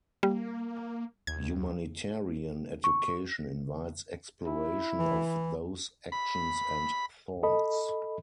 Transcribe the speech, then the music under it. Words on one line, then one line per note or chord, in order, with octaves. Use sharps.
Humanitarian education invites exploration of those actions and thoughts.
G3 A#3
D#2 G#6
C#6
E4
E3
B5
A4 D#5 B5